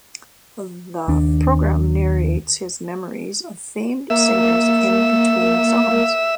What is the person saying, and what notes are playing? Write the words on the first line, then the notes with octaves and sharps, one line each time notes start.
The program narrates his memories of famed singers in between songs.
D#2 D4
A#3 E5